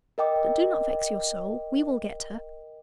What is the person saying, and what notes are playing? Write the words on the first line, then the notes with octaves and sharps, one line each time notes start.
But do not vex your soul; we will get her.
A#4 D#5 G5 D6